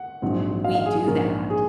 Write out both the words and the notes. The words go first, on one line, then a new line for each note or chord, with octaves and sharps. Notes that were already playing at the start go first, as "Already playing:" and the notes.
we do that.
Already playing: F#5
A#1 G#2 F#3 C4
F5
F5
G#4
G#4
A#1 G#2 F3 A#3 C#4 A#4
G#4